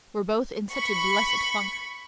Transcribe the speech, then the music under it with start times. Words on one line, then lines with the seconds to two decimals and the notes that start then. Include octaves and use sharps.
We're both in such a blessed funk.
0.71 B5 C#6